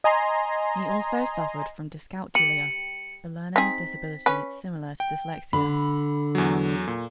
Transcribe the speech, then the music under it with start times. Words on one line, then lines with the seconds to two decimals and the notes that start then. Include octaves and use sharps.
He also suffered from dyscalculia, a learning disability similar to dyslexia.
0.04 D#5 G#5 A#5 C6
2.35 G3 C#7 D#7 F#7
3.56 C4 D#4 G#4 B6
4.26 C#4 B4
5.00 G5
5.53 D3 B5
6.35 E2 F#3
6.88 A#2